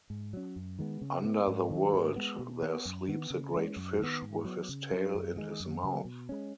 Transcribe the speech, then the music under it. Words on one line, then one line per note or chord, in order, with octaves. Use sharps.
Under the world there sleeps a great fish with his tail in his mouth.
G#2
F#3 C#4
F#2
D#3 G#3 B3
C#3
B3
G#2
D#3 F#3
G#2
G#3 B3
B2
B3
F#2
D#3 B3
C#3
G#3 C#4
F#2
D#3 B3
G#2
F#3 B3
C#3
F#3 C#4
F#2
D#3 G#3
F#2
C#3 F#3
B2
G#3 C#4